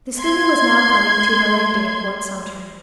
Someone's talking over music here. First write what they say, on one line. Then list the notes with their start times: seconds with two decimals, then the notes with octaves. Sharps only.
The schooner was now coming to her landing at Fort Sumter.
0.20 C6 G#6